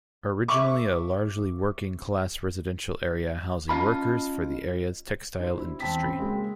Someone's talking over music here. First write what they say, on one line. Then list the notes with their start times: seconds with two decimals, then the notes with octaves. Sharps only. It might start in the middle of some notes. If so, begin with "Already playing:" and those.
Originally a largely working class residential area housing workers for the areas textile industry.
0.48 E5 C#6 D6
3.69 C#4 F4 D#5 F5 A5 B5
5.40 D4 C5
5.59 E4
5.80 E2 C4 A5 B6
6.03 C#3 B5
6.19 G#3 A#3 G#4